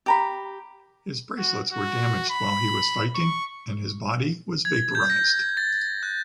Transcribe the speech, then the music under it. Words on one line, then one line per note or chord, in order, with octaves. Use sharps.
His bracelets were damaged while he was fighting, and his body was vaporized.
G4 A#5 B5
F#4
F#4
B5
C#6
G#6
G6
A#6
A6
F#6